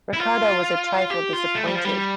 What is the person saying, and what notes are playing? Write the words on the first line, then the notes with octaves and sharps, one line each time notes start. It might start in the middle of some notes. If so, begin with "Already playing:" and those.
Ricardo was a trifle disappointed.
E4
F4
G4
F4
A3
G3
F3
G3